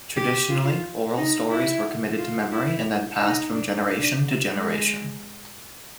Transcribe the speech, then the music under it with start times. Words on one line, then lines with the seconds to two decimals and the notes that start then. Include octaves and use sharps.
Traditionally, oral stories were committed to memory and then passed from generation to generation.
0.17 G4
0.49 F4
1.18 D#4
1.51 E4
2.18 F4
2.51 E4
3.19 D#4
3.54 D4
3.87 D4
4.54 G#3